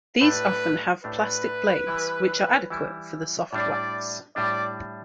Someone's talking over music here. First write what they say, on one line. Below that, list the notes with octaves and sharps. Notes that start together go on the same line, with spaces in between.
These often have plastic blades, which are adequate for the soft wax.
A2 A3 D4 G4 B4
A2 A3 D4 G4 B4
E3 G3 E4
E3 G3 E4
A2 G3 D4 D5
A2 G3 D4 D5